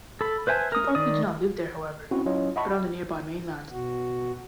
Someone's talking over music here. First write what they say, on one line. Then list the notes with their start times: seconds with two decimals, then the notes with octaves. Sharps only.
She probably did not live there, however, but on the nearby mainland.
0.21 A4 B5
0.47 B4 C5 E5 G#5 A5
0.72 A#4 D#6
0.95 D#3 D5 D#6
2.11 C4 C#4 E4 F#4
2.26 F#3 C#4 E4 F4 C#5 D#5
2.56 D#5 E5 F#5 A5 B5 C#6
3.72 B2 F#4